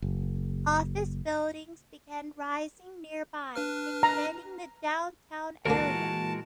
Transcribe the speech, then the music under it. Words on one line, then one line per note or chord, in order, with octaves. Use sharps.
Office buildings began rising nearby, expanding the downtown area.
F#1
D4 B4 F6
A#5
D2 A#2 E3 G#3 A#3 F#4 A#4 A5